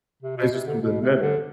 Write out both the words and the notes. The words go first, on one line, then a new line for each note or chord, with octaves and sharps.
replaced with something better
C3
B2
C3
D3
B2
C3
D3